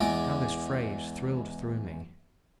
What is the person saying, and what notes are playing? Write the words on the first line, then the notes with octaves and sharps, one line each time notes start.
How this phrase thrilled through me!
E2 G#3 D6